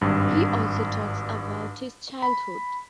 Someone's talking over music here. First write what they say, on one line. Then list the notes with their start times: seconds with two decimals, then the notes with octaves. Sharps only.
He also talks about his childhood.
0.01 G#1 G2
2.22 B5